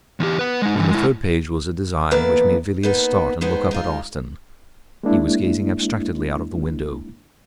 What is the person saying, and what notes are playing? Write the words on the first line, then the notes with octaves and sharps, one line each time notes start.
On the third page was a design which made Villiers start and look up at Austin; he was gazing abstractedly out of the window.
E2 G4
B4 F#5
G#3 D#4
D3 E3
G#3 E4
E3 A#3 B3 A4 D5
A#3 B3 D#4
D#2 G#3 B3 D#4 C5
G#3 D#4 F4
G#3 A#3 D4 E4